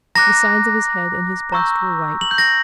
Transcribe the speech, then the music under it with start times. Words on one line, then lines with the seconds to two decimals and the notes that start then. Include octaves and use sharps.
The sides of his head and his breast were white.
0.15 A#5 D6 F#6 A#6
1.52 A#5 C#6 E6 G6
2.21 F#7
2.31 G6
2.38 A#6